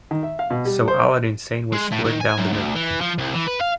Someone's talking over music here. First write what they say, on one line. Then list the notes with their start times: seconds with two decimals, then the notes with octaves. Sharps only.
So "Aladdin Sane" was split down the middle.
0.11 D#3
0.23 E5
0.39 F5
0.50 B2
0.65 G3
0.88 C5
1.72 G#3
1.92 A2
2.04 D#3
2.20 G#5
2.38 F#2
2.52 D2
2.75 E3
3.01 F3
3.18 C2
3.34 E3
3.48 B4
3.61 F5